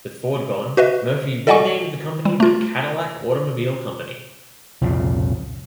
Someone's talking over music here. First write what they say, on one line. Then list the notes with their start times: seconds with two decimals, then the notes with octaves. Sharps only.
With Ford gone, Murphy renamed the company the Cadillac Automobile Company.
0.77 F#4 B4 D#5 E5
1.47 A4 D5 D#5 F#5 G#5 C#6
2.25 G3
2.40 A3 F4
4.81 C2 F2 A#2 C#3